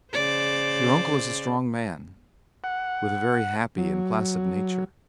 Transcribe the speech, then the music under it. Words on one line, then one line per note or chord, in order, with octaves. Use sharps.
Your uncle is a strong man, with a very happy and placid nature.
C#3 C5 D5
F#5
F#3